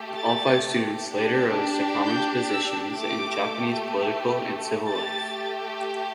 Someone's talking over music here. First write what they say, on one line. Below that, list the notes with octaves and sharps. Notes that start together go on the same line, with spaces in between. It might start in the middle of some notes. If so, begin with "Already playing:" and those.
All five students later rose to prominent positions in Japanese political and civil life.
Already playing: A3 G4
A6
D4 G4
G6
E6
A3 G4 D6
A3 G4 A6